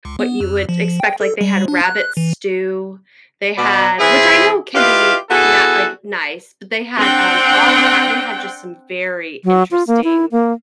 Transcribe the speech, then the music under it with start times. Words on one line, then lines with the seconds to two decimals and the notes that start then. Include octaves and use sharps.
what you would expect, like, they had rabbit stew, they had- which I know can be not, like, nice- but they had, um, all kind they had just some very interesting
0.05 C#2
0.19 B3
0.41 F2
0.69 F3
1.00 G5
1.21 A4
1.41 G3
1.68 D4
1.85 F#6
2.17 E3
3.57 B2 D5 B5
4.00 E3 C4 E4 G#4
4.75 E4 F4 G4 B4 D#5 F5
5.30 B3 E4 F#4 G#4 A4
6.98 C4 D4 F#5 G5
9.44 F#3
9.71 F4
9.87 A#3
10.04 E4
10.32 A#3